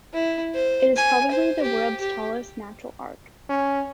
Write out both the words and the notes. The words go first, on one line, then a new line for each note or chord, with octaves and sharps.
It is probably the world's tallest natural arch.
E4
C5
G#5
C5
G4
G4
C#4